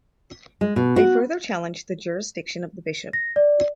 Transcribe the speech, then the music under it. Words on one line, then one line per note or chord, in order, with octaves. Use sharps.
They further challenged the jurisdiction of the bishop.
G#3
B2
F#4
A#6
D5